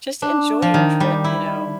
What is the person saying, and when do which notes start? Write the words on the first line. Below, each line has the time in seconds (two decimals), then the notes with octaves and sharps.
just enjoy your trip, you know?
0.22 D4
0.62 F3
0.74 D#3
1.00 G3
1.24 E4